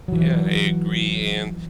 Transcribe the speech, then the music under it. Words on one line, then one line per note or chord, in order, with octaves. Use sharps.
Yeah, I agree, and
E3 F#3